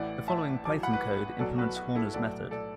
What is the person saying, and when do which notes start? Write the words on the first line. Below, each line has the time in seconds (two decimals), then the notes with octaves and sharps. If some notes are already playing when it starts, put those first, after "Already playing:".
The following Python code implements Horner's method.
Already playing: A1 A2 E3 D5 F#5
0.28 E5 A5
0.65 A1 A2 F#3 A5 D6
0.83 F#5 B5
0.92 F#4 B4
1.39 B1 B2 F#3 A4 D5
1.58 F#4 B4
1.77 F#4
1.95 E4 A4
2.14 B1 A2 F#3 A4 D5
2.51 A4 D5